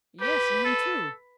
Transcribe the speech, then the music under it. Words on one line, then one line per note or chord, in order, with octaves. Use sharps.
'Yes, and him too.
G4 B4
A4